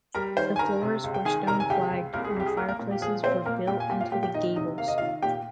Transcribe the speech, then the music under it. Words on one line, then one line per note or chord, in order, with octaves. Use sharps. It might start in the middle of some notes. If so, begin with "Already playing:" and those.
The floors were stone flagged and the fireplaces were built into the gables.
G3 A#4 A#5
D#3 C5 C6
G#5
G2 A#4 A#5
C3
C#2
G5
D#3 G#4 G#5
C3 A#4 A#5
G#5
C#2 G4 G5
C#2
C2 A#3 A#4
G#4
C2 G4
G#4
A#3 A#4
A#3 A#4
A#2
G4
F3 G#4
A#2 C4 C5
A#2 A#3 A#4
A#2 G4 G5
G#5
A#2 G4 G5
F4 F5
A#2 G4 G5
G4 G5
D#3 D#4 D#5
C3 D#4 D#5
A#3 F5
D#5
F4 F5
D#3
A#2 G4 G5